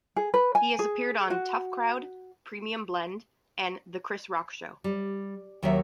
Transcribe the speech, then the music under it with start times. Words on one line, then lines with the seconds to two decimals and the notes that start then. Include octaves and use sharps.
He has appeared on "Tough Crowd", "Premium Blend", and "The Chris Rock Show".
0.16 G#4
0.34 B4
0.55 G#5
0.79 G#4
1.30 F#4
4.84 G3
5.63 D#2 D#3 F#3 C#5 E5